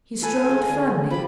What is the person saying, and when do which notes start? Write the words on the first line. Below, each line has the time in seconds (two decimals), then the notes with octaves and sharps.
He strode firmly.
0.22 A4 B4 G#5
0.36 F5
0.49 G#3 A4
0.68 D3 G#4
1.10 F3 G4 B5